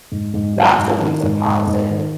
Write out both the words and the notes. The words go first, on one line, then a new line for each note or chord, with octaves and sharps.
that's always a positive.
G#2
G#2
F#3
G#2
D#3
G#2
G#2
G#2
D#3